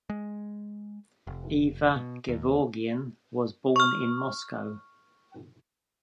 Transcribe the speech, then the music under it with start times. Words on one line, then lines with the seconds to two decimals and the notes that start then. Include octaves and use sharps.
Eva Gevorgyan was born in Moscow.
0.10 G#3
1.27 F1
1.96 B2
2.28 D#2
3.76 C#6 F6